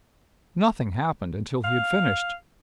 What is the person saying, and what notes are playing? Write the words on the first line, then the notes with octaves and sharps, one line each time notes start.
Nothing happened until he had finished.
F5